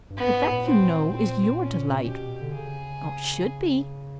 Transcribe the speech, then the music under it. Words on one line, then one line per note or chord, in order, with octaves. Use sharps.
But that, you know, is your delight,--or should be.
G2
G#2 B3
A#2
C4
A#2
C4
C#4
B2 G4
D3
C#3 G#4